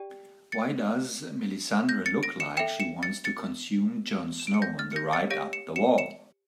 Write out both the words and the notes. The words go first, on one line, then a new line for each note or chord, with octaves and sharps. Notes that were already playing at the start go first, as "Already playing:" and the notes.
Why does Melissandre look like she wants to consume Jon Snow on the ride up the wall?
Already playing: G4 D5 G5
A6 C#7
G6 A#6
A6 C#7
A#6 D7
C#7 E7
A4 E5 G5 C#7 E7
C#7 E7
A6 C#7
A6 C#7
E7
D7
C#7
G6 A#6
F6 A6
C#7
G6 A#6
A6 C#7
G4 C#5 F5 A#6 D7
C#7 E7
C#7 E7
C#7 E7